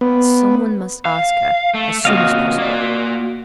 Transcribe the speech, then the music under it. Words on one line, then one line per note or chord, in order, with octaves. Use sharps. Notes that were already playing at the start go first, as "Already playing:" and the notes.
"Someone must ask her--as soon as possible!"
B3
F5
A3
C#3 A#3 C4 F#4 D#5 F5
A#3 D5